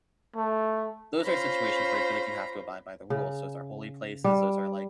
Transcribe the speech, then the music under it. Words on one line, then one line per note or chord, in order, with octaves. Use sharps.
Those are situations where I feel like you have to abide by the rules. Those are holy places. Those are, like,
A3
C#4 F4 C5 A#5 B5
C#3
G3